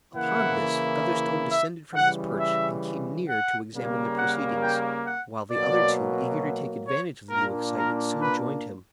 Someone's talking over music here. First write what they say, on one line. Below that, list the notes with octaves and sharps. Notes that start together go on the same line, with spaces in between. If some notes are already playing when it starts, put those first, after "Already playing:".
Upon this Featherstone descended from his perch, and came near to examine the proceedings, while the other two, eager to take advantage of the new excitement, soon joined him.
C#3 E3 A#3 E4 F#5
E5
C#3 E3 G3 F#5
E5
F#5
C#3 G3 A#3
F#5
G5
F#5
B2 F#3 A#3 D5
C#5
A#2 A#3 D4 A#4
A#4
B4